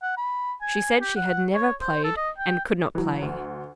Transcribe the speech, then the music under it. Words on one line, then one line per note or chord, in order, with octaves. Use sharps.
She said she had never played, and could not play.
F#5
B5
G#5
G4
F#5
C#5
C5
A4
D#5
G5
E3 F#3
D2